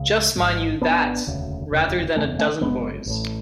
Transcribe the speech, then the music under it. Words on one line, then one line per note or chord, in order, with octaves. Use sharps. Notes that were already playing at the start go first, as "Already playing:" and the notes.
Just mind you that — rather than a dozen boys.
Already playing: C#2 C#3
G#1 G#2
G#1 G#2 B3 D4
E1 D2 C#3
E1 D2 C#3
F#1 E2 C#3 A3 C#4
A3 C#4
F#1 E2 C#3 G#3 B3
A1 A2